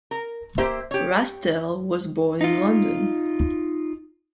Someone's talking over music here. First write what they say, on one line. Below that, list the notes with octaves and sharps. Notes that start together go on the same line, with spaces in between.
Rastell was born in London.
A#4
A#3 G4 C5 E5
G4 C#5
D#4 F4